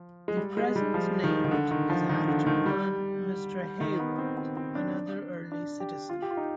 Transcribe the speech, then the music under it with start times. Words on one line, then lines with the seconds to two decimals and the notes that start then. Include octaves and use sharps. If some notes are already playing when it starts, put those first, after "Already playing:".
The present name is after one Mr. Hayward, another early citizen.
Already playing: F3
0.28 G#3
0.37 G3
0.57 G#3
0.76 G3
0.94 F3
1.24 D#3
1.45 D#3
1.51 D3
1.71 D#3
1.90 F3
2.09 D#3
2.28 D3
2.46 D#3
2.66 G3
3.81 D#3
3.99 B3
4.18 C4
4.37 C4
4.57 C4
4.75 D4
5.52 D4
5.80 G4
6.09 F4
6.22 G4
6.31 F4
6.37 D#4